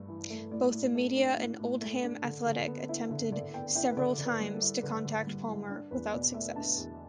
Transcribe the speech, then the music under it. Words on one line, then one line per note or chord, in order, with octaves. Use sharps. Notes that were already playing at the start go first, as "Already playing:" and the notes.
Both the media and Oldham Athletic attempted several times to contact Palmer without success.
Already playing: G2 A3
E3
A3
A2 D5
A2
A3
D4
A2
A2
A3
D4
D3
D3
B3
E4
D3 E5
D3 D5
B3 G5
E4 G5
B4
D3 D5
D3
B4
G3
A4
E4
D3 B4
D3
G3
E4
D4 D5
E2 B4
B2 D5
A3 E5
D4 A5
E2